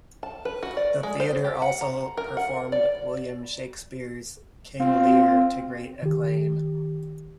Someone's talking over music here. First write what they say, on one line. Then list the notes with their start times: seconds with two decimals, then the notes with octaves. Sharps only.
The theater also performed William Shakespeare's "King Lear" to great acclaim.
0.23 A5
0.45 B4
0.63 F#4
0.77 D5
1.03 G#3
1.20 C5
1.44 G4
1.62 F#5
1.81 A#5
2.17 A#4
2.37 F#5
2.72 D5
4.80 C4 F4
6.02 D#3 G4